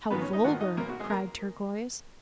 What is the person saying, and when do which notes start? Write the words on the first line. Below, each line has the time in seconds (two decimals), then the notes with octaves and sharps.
"How vulgar!" cried Turquoise.
0.10 G#1 G#2 D#3 A#3 B3 F4 B4
0.22 C#4 C#5
0.33 D#4 D#5
0.44 G#1 G#2 D#3 A#3 F4 F#4 F#5
0.60 D#4 D#5
0.77 B1 B2 F#3 A#3 A#4
0.89 F#4
1.00 G#3 G#4
1.10 A#3 A#4